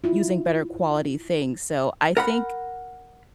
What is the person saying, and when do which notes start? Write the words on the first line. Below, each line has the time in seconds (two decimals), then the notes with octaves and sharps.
using better quality things?" So I think
0.04 E4 F4
2.17 A#4 F#5 B5